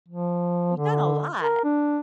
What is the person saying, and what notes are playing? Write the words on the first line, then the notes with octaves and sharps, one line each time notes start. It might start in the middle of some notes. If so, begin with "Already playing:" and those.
You've done a lot.
F3
D3
A#4
D4